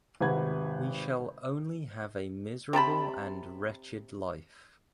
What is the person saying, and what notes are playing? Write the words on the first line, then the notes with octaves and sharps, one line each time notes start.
We shall only have a miserable and wretched life.
G#1 C3 B4 F#5 G#6
C3 G4 A5 B5